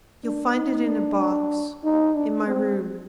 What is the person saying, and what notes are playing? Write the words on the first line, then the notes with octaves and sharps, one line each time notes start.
You'll find it in a box--in my room.
D4
D#4
D4
D#4
D4
C4